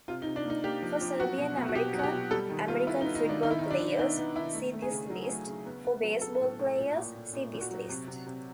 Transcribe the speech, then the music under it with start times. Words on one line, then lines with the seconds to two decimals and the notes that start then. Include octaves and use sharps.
For Serbian-American American football players, see this list; for baseball players, see this list.
0.08 C3 F4
0.22 D#4
0.27 C3
0.36 D4
0.45 A#3 D#4
0.63 A#3 G4
0.82 F3
1.01 F3
1.19 F#3 F#4
1.38 B2
1.57 B2
1.68 F#4
1.75 B2 G4
1.94 F#3
1.99 F#4
2.03 G4
2.13 B2
2.31 G3 A4
2.50 D#3
2.68 B3 F4
2.87 B3 E4
3.01 D#4
3.06 B3
3.15 D#4
3.24 D#3 D4
3.43 D#3 D#4
3.51 E4
3.59 D#4
3.61 D#3
3.71 D4
3.80 D#3
3.99 B3 D#4
4.17 B3 D#4
4.36 D#3 E4
4.55 A3
4.73 A3
4.82 G#4
4.91 C#3
5.10 F#3
5.29 A3
5.47 C#3
5.66 B3
5.85 B3
6.03 F#3
6.22 F#3 A4
6.41 A2
6.59 A2
6.78 A#2
6.96 A#2
7.15 A#2
7.33 A#2
7.52 A#2
7.61 F#4
7.71 F#3
7.89 C3
8.08 C3
8.27 C3